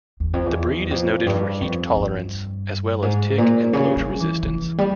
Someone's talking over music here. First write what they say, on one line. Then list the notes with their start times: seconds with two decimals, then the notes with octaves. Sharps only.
The breed is noted for heat tolerance, as well as tick and bloat resistance.
0.20 E2
0.33 F2
0.46 E2
0.91 F2
1.26 G2
1.61 F2
1.96 G2
3.02 G#2
3.38 A#2
3.73 C#3
3.97 G3
4.20 E3
4.43 E3
4.78 G3